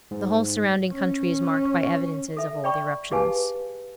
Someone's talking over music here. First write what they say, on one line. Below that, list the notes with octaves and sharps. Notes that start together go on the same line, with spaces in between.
The whole surrounding country is marked by evidences of old eruptions.
G#2
C#4
A4 E5
D5 G5 B5 C#6
G4 G#4 B4 F5 G#5 A5